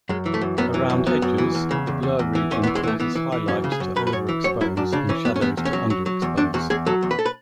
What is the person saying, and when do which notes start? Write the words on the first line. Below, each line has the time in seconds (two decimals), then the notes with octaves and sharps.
Around edges, the blur region causes highlights to overexpose and shadows to underexpose.
0.09 F#2 G#3
0.26 E3
0.34 A3
0.41 F#2
0.58 F#2 B3
0.74 E3
0.90 F#2
1.07 F#2 B3
1.22 F#2
1.38 E3
1.55 E2
1.71 C#3
1.87 E2
2.03 E2
2.19 E2
2.35 E3
2.51 E2 C#4
2.63 B3
2.67 E3
2.75 G#3
2.84 E3 A3
3.00 E3 B3
3.15 E3
3.32 E3
3.48 F#2 C#4
3.64 C#3
3.72 G#4
3.80 F#2
3.96 F#2 B4
4.07 B4
4.13 F#2 C#5
4.29 E3
4.44 F#2 C#5
4.61 F#2 E4
4.77 F#2 D4
4.93 C#3 D4
5.09 E3 C#4
5.25 F#2 B3
5.36 C#4
5.41 E2 B3
5.57 E2
5.65 C#4
5.73 F#3
5.90 F#3
6.06 F#3
6.22 E2
6.38 E2 D4
6.54 E2 F#4
6.70 E2 G#4
6.86 F#3 A4
7.03 E2
7.11 B4
7.19 A4
7.26 B4